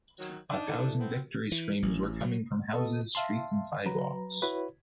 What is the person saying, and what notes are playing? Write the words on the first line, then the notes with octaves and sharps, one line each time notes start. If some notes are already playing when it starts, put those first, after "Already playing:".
A thousand victory screams were coming from houses, streets and sidewalks.
D#3 F#3
D4 D#4
E4 A4
B3 C4
E3
A1
F#3
B3 A4 D#5
E5 F5 A5 C6
F#3 B4 A#5
E4 F#4 B4 C#5